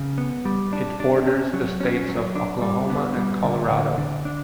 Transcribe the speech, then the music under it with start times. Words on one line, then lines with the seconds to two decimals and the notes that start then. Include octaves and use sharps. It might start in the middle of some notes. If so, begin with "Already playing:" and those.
It borders the states of Oklahoma and Colorado.
Already playing: C#3
0.18 B3
0.45 G3
0.73 D4
1.00 D4
1.27 C#4
1.53 F#3
1.80 C#4
2.08 F#3
2.35 D4
2.62 G3
2.90 B3
3.16 G3
3.43 D3
3.71 D3
3.98 D3
4.25 D4